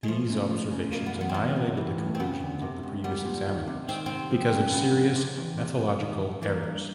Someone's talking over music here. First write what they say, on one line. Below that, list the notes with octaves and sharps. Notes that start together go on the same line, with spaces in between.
These observations annihilated the conclusions of the previous examiners because of "serious methodological errors".
G#3
F3 A3
C#3
F3
C#3
B2 A#3
B3
E2
B3
C4
E3 B3
C3
E3
A2
C4
C#3 B3
D2
C3
C#2
G3 B3
A#2
D#3
C3
D#3 C4
C3 C4
F3
C#3
C#3 B3
F2
C3
E2
C3
F2
D#3
F#2
E3 A#3
G2